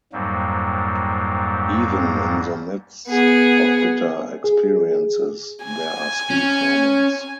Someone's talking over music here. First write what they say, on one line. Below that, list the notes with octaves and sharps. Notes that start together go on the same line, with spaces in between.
Even in the midst of bitter experiences, there are sweet moments.
F2 G#2 F#3 G3 A#3
B3 G#4
G#4
G#5
C#4